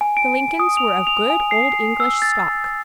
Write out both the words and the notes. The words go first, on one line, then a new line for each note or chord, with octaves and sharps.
The Lincolns were of good old English stock.
G#5
D7
D#6
F7
F7
G#5
C7
E6
A6